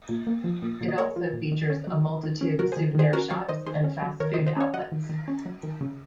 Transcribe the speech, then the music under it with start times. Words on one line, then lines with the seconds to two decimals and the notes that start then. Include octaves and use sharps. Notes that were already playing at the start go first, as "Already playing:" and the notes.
It also features a multitude of souvenir shops and fast food outlets.
0.09 A#2
0.27 A#3
0.44 F3
0.62 A#2
0.81 A#2
0.88 D#5
0.98 A#3 A#4 C#5
1.16 F3
1.33 A#2
1.52 D#3
1.70 C#4
1.87 F#3
2.06 D#3
2.23 D#3
2.41 C#4
2.59 F#3 F#4 A#4
2.72 D#3 G#4 C5
2.95 D#3 G#4 C5
3.12 C#4 F#4 A#4
3.30 F#3 C#5 F5
3.49 D#3 C5 D#5
3.66 D#3 G#4 C5
3.84 C#4
4.02 F#3
4.20 D#3 A#4 C#5
4.34 D#3 C5 D#5
4.46 C5 D#5
4.56 C#4 C#5 F5
4.74 F#3 D#5 F#5
4.92 D#3
5.09 D#3
5.28 C#4
5.45 F#3
5.63 D#3
5.81 C#3